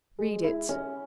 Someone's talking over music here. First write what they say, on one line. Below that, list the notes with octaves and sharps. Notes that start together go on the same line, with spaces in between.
"Read it."
G#3
E4
C#4